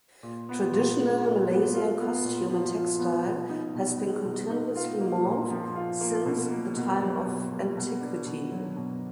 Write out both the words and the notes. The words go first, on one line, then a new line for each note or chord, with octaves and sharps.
Traditional Malaysian costume and textile has been continuously morphed since the time of antiquity.
A#2
B3
A#2
G#3
A#2
B3
F4
B3
A#2
F3
F4
B3
B2
D#4
B2
G#3
B2
D#4
F4
A#3
A#2
F3
F4
A#3
B2
A#3
B2
F#3
B2
A#3
B2
D4
B2
F#3
B2